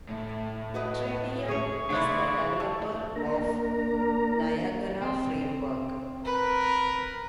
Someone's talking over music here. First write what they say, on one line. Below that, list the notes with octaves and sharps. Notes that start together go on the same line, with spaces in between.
Tridium is the developer of Niagara Framework.
A2
F#4 B4 D#5
G#4 C#5 C#6
A3 D4 E4 G#4 C5 F5
A3 A4
A#3 D4 A#4 A#5
C4
A#4 B4